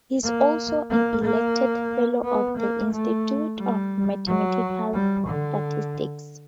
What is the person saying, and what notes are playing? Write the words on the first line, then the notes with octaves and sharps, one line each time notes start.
He is also an elected Fellow of the Institute of Mathematical Statistics.
A#3
A#3
A#3
B3
A#3
A3
G3
F#3
G3
D3